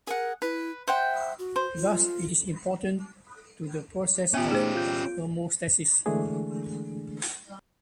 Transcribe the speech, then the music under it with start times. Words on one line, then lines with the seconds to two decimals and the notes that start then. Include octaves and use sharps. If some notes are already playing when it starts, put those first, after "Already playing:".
Thus, it is important to the process of hemostasis.
0.07 G#4 A#4 F#5
0.42 E4 B4
0.88 C5 E5 F#5 G5
1.39 F#4
1.56 C5
1.78 F4
4.34 B3 C#4 F4 G4 E5 G#5
4.51 A3 D#4 G#4 C5
4.75 F4 G6
6.06 D3 E3 G#3 A3 D4 G#4